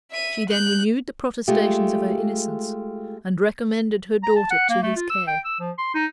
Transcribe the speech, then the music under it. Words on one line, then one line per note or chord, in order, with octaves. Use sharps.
She then renewed the protestations of her innocence, and recommended her daughter to his care.
E5 D#7
F#6 G6
G#3 A3 F4 G4
A#5
A5
F#5
A#3
A3
F4
E6
G5
E6
F3
C6
D#4